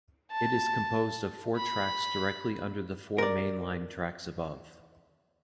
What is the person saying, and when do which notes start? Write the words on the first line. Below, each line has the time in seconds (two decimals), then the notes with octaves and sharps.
It is composed of four tracks directly under the four main line tracks above.
0.32 A5
1.56 B5
3.18 A#4 D5